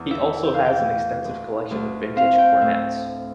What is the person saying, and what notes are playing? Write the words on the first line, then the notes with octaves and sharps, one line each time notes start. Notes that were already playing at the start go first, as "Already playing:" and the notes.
He also has an extensive collection of vintage cornets.
Already playing: E2
E5
E4
G5
F5
G5
A2
D2
D2
C4 F5
G5
A2 E5